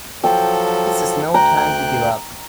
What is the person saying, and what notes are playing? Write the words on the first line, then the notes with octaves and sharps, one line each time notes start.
This is no time to give up!
F3 F#3 A4 G5
D2 G5 A#5 F#6